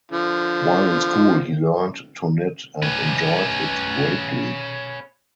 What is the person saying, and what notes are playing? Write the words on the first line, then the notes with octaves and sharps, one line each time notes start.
While in school he learned to knit and enjoyed it greatly.
D3 F3
C#4 B4